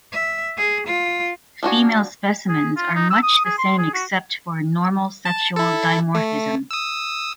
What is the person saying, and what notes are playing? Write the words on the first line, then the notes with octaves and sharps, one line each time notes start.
Female specimens are much the same except for normal sexual dimorphism.
E5
G#4
F4
F3 D4 F#4 G#5
G#4
F4
D#4
E6
D#6
G#4
C6
G#4
F#4
A5
E4 A4
A3
D#6 E6